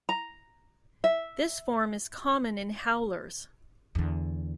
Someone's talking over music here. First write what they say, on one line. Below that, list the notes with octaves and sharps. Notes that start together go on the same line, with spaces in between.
This form is common in howlers.
A#5
E5
E2 D3